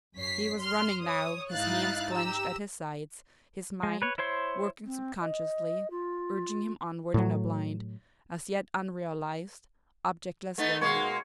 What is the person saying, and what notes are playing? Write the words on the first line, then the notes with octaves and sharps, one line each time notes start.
He was running now, his hands clenched at his sides; his mind, working subconsciously, urging him onward in a blind, as yet unrealised, objectless way.
F#2 C#5 B6 C7
C6 F6
C#5 D#6
G#2 D#4 E4 F5 F#6 A6
G4 A#5 E6
G#3
B4 C#5
E4 C5 C#5 C6
C4
D#5
F4
A2 F#3
A3 B3 D#4
B2 G#3 A#3 C#5